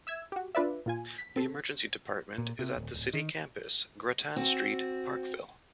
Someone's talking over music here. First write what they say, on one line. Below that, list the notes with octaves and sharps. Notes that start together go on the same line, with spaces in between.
The emergency department is at the City Campus, Grattan Street, Parkville.
E5 E6 G#6
F#4 G4
D4 F4 B4 D5 E5
A#2 F4 G#5
B6
C4 A4
A#2
C3
D1
D1
D#3
C4 F#4